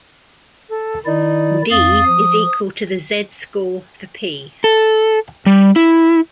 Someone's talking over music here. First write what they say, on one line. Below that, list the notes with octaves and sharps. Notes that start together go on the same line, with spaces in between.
"D" is equal to the z-score for "P".
A4
D#3 D#4 E4 D5
F2 F5 D#6 A6
F3
A4
G3
E4